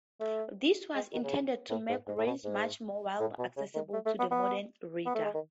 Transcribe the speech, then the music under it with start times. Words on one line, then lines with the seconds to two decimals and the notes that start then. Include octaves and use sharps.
This was intended to make Rees much more widely accessible to the modern reader.
0.20 A3
0.95 G#3
1.13 D#3
1.24 C#3
1.70 A2
1.89 G#2
2.07 G#2
2.18 A2
2.26 B2
2.44 G#2
3.20 A2
3.38 B2
3.56 C#3
3.75 D#3
3.93 A3
4.06 A3
4.19 B3
4.31 B3
5.06 B3
5.15 A3
5.24 G#3
5.34 D#3